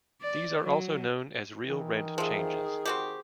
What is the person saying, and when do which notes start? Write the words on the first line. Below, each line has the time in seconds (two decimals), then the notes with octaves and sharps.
These are also known as real rent changes.
0.21 D5
0.61 F#3
1.68 D#3 E3
2.18 C3 F3 G#4
2.85 C4 F#4 G4